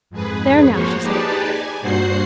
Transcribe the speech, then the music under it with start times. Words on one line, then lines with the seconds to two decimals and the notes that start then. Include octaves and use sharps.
'There, now!' she said.
0.10 F2 G#2 G#4 B4
0.71 F3 A#3 F#4 C5 C#5
1.01 D#4 G4 G#4 B4 D5 A5
1.46 G#5
1.80 G2 A#2 F#4 C5 F#5 C7